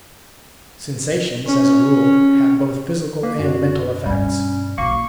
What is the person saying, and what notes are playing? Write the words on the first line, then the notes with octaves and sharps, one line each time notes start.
Sensations, as a rule, have both physical and mental effects.
C#4
A#3 B4
F#2 F#4
G2 B2 G3 C#4
B1 E2 A#3 C#6